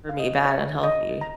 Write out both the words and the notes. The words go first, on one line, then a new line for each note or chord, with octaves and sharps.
for me bad, unhealthy.
F5
D#5
C#5
D#5
A#5